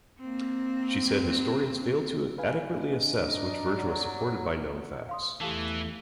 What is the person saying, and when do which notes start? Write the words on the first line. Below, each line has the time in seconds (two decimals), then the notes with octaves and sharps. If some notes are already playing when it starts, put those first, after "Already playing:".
She said historians failed to adequately assess which version was supported by known facts.
0.20 A#3 C4
2.38 B4 F5 G#5
2.71 D4 D#5
3.35 G2 D5 A#5
3.78 F#3
5.09 F5 C6 D#6
5.41 E2 E3 A3 G4 F5 A5